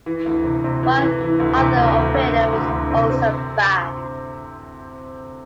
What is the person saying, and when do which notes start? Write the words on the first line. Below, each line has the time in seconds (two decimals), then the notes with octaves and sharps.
One other operator was also banned.
0.06 E3
0.26 D2
0.44 C3
0.64 C3
0.83 E3
1.01 E3
1.21 E3
1.40 D2
1.58 C3
1.77 D2
1.96 D2
2.14 D2
2.34 D2
2.53 D2
2.71 D2
2.91 C3
3.10 C4